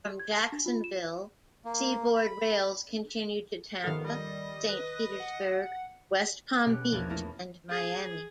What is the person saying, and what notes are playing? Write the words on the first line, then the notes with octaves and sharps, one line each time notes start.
From Jacksonville, Seaboard rails continued to Tampa, Saint Petersburg, West Palm Beach and Miami.
G4
G#6
A5
D4
F4
E7
A#3
B5
D#3 F3 B3 A4 F5
G3 D#5
B4
F#5
B2 C#4 G4 F#6
A#1 E2 A#3 A#4 G#6
A3 A#3 E4 A#4
G#4